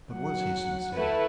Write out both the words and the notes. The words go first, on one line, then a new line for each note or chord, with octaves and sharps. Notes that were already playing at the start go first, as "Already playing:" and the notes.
But was he sincere?
F#3 F#5
A3 E4 B4